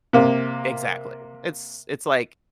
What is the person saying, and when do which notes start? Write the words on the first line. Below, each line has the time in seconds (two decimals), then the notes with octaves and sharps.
Exactly. It's it's like
0.13 C3 A#3